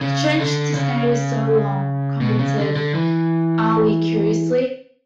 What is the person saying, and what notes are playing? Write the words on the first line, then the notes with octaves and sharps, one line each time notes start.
"Strange to stay so long," commented Ali curiously.
C#3
D3
C#3
B2
C#3
D3
D3
E3